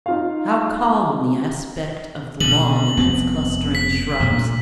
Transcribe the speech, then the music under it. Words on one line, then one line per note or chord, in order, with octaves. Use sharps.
How calm the aspect of the lawn and its clustering shrubs.
D#4 F4 F5
B2 D3 F#7
F1 B3 C4
B6
D2 A#2